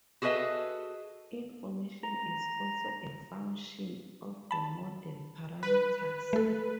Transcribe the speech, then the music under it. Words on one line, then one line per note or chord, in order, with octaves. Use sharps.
Information is also a "function" of the model parameters.
F#4 G#4 A4 B4 D#5 E5
A#5
A5 B5
B4
A3 A4